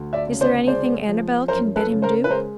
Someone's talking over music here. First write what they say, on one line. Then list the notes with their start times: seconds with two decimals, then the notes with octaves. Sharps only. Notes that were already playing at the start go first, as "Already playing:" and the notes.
"Is there anything Annabel can bid him do?"
Already playing: D2
0.13 D5 E5
0.27 C#3
0.41 C5 D5
0.67 G#3 C5 D5
1.08 F3
1.48 F#2 A#4 C5
1.76 A4 B4
1.90 C#3
2.02 A#4 C5
2.24 B4
2.29 G#3 A#4 C5